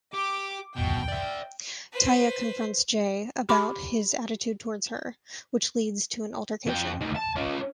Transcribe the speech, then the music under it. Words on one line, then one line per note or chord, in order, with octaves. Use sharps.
Tia confronts Jai about his attitude towards her, which leads to an altercation.
G4 D6
B2 G5
D5 E5
B4 C5
G4 B5 C6 D6
F2 G5
D2 D#3
A5
C#4 F4